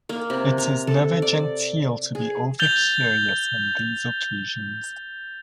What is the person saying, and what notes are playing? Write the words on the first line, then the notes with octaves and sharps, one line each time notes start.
It is never genteel to be over-curious on these occasions.
A#3
C3
A#5
A4
D5
G#4
G6 A6 F7 G7